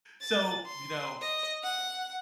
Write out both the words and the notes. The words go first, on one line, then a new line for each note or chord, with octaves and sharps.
so, you know,
A6
C6
D#5
F#5